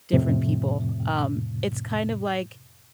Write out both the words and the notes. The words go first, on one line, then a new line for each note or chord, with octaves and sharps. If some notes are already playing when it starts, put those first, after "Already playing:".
different people, um, it's kind of, like
F2 A2 C3